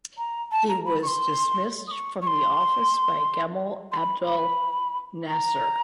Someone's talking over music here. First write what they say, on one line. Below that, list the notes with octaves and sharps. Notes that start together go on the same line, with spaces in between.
He was dismissed from the office by Gamal Abdel Nasser.
A#5
A5
A#5
B5
C#6
C6
D#6
C#6
C#6
C6
C6
B5
B5
A#5